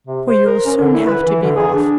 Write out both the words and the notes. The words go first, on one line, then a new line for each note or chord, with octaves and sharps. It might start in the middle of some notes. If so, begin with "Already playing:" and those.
For you'll soon have to be off.
C3
C5
A#4
C#4
D3
E4
B4
E3
D3
G#4
D4